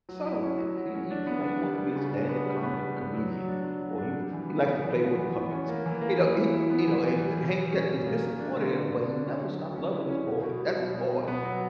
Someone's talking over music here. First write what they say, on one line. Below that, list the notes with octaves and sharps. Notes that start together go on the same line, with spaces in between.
subtle things, he li he, you know, he wants to be a stand up comedy comedian, or he w he likes to play with puppets, uh you know, he you know, and th Hank ke is disappointed in him, but he never stopped loving his boy, that's his boy!
F#3
E4
C#4
F#3
F#3
C#4
D4
B3
D4
G3
G3
C#3
D4
B3
G3
B3
G3
B3
F#3
F#3
D4
F#3
F#3
D4
G3
E3
B3
B3
E3
B3
E3
E3
C#4
A#3
E3
A#3
E3
E4
E4
B3
E3
E3
G3
B2
G3
C#4
B2
A#3
A#3
D4
D3
D3
D3
D4
C#4
F#3
F#3
C#4
E4
C#4
B2
B2
G3
B2
B2
B2
B3
F#3